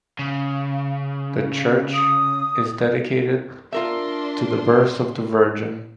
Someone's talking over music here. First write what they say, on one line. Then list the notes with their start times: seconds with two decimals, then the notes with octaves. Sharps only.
The church is dedicated to the Birth of the Virgin.
0.19 C#3
1.94 D#6
3.72 D4 F4 A#4 E5 C6